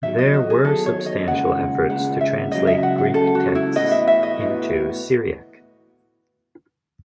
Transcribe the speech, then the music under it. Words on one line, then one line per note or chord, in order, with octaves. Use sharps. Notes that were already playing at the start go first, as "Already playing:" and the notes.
There were substantial efforts to translate Greek texts into Syriac.
E2 D#3 F#3 E5
D#5
F#4
G#4
E2 D#3 F#3 A4
C#5
D#5
D#2 C#3 G#3 F#5
D#2 C#3 G#3 F#5
E5
C#2 C#3 F#3 D#5
E5
F#5
F#5
C#2 C#3 F#3 A4
F#4
E4
A2 E3 B3 F#4 D#5
E5
E5
D#5
A2 E3 B3 F#4